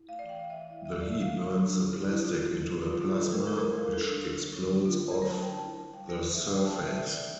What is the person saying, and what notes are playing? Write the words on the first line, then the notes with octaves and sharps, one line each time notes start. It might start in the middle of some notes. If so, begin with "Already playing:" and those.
The heat burns the plastic into a plasma, which explodes off the surface.
Already playing: E4
A3 F5
D5
E3
G5
E3 F5
E5
E3
E4 F5
F3 E5
A#3 D5
E5
E4
F5
G3
G3
D4
D4
E4 G4
F3 E4
C4 F4
E4
E4
C4
G3 F4
G3 F4
F3 A4
A3 A#4
F3 A4
A#4
E4
G3 A#4
D4 A4
D4
D4
D3
D3
A3
A3 F4
F3
A#4
A3
C5
F3 A5
G5
D4
A5
E4
E4
G3 G5
E4 C5
E4
E5
C4
F5
E4 G5
A5
C4
G5
E3 E5
E5
E3
D5
A3 D5